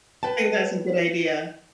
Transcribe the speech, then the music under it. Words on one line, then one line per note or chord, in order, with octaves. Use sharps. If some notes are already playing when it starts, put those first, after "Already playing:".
I think that's a good idea.
B4 G5 A5